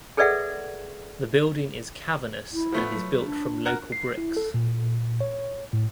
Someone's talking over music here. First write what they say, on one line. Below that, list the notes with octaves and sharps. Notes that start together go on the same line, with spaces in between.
The building is cavernous and is built from local bricks.
G#4 A4 B4 D5 E5 F#5
E4
F3 A3 B3
F#3
D4
A#4 F#5
C7
E4
A4
A#2
C#5
A2